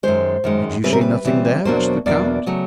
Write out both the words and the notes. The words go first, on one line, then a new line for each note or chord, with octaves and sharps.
"Did you see nothing there?" asked the count.
F#2 D#3 G#3 C5
F#2 D#3 G#3
C#3 E3 G3 C4 B4
A#4
B4
C#3 E3 G3 C4
E2 B2 F#3 A#3 D4 C5
E2 B2 F#3 A#3 D4 D5
C#3 F#3 A3